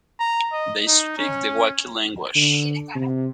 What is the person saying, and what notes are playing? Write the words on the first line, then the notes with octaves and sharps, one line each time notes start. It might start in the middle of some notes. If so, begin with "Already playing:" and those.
They speak the Wakhi language.
A#5
D#5
D#4
C#4
D3
C3